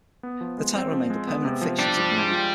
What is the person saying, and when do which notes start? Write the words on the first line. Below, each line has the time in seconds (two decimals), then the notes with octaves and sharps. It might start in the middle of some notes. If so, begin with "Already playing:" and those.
The title remained a permanent fixture to his name.
0.23 B3
0.41 F3
0.58 G#3
0.76 C4
0.92 F3
1.10 G#3
1.27 B3
1.45 C3
1.61 F3
1.79 G3 D4
1.97 F3
2.13 G#3
2.31 F4